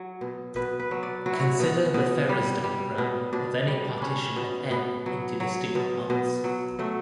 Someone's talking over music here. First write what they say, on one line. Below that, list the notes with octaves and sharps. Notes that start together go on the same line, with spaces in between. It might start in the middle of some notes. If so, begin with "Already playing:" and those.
Consider the Ferrers diagram of any partition of "n" into distinct parts.
Already playing: F#3
B2
B2 B4
B4
F#3
D5
F#3 F#4
E4
F#4
B2
B2
G3
G3
B2
B2 D4
G3
G3 C#4 D4
B2
B2 B3
F#3
F#3
B2
B2
F#3
F#3 A3